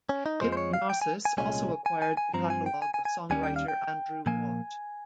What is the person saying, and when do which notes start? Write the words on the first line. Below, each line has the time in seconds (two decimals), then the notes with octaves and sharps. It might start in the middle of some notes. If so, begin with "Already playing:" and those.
Hipgnosis also acquired the catalogue of songwriter Andrew Watt.
0.09 C#4
0.26 D#4
0.41 F2 C#3 F3 G#3 C5
0.52 C5
0.57 C#5
0.73 F5
0.90 G5
1.02 G#5
1.25 G#5
1.37 C2 A#2 G#3 C#4 G#5
1.86 G#5
2.02 G#5
2.17 G#5
2.34 G2 F3 C4 A#5
2.50 G#5
2.66 G5
2.82 G#5
2.94 G#5
3.05 G#5
3.30 D#2 D#3 G3 C#4 G#5
3.43 G5
3.56 F5
3.68 G5
4.26 A#2 F3 A#3 G#5